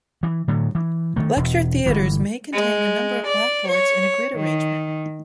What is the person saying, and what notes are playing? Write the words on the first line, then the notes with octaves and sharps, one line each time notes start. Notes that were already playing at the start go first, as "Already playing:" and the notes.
Lecture theatres may contain a number of blackboards in a grid arrangement.
E3
A2 D3 F#3
E3
D#3 E3 A3
E1
G1 E3
G#3
D5
C#5
D#3